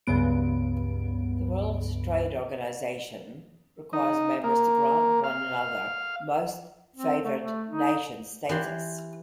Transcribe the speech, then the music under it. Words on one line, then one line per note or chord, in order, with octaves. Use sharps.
The World Trade Organization requires members to grant one another "most favored nation" status.
C#2 G2 C#3 B3 D7
D#4
A#3
F5
C4
A3
A3
D#4
E3 G4 C6